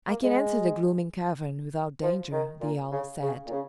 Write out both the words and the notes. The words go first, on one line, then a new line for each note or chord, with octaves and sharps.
"I can enter the gloomy cavern without danger," the owl said.
A#3
G#3
F3
D#3
A#2
C#3
C#3
A#2
C#3